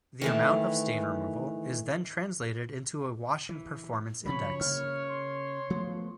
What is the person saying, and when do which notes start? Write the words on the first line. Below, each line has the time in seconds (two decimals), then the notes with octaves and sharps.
The amount of stain removal is then translated into a washing performance index.
0.21 D#3 E3 A3
3.49 E3
4.26 C#3 F3 F#3 C#5 B5
4.60 C#3 A#3 F6
5.09 C6
5.70 F3 A3 B3